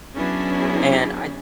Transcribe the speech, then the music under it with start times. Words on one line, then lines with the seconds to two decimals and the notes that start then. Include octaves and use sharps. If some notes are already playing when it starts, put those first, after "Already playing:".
and I
0.15 F#3 B3 C#4 D4 E4 G#4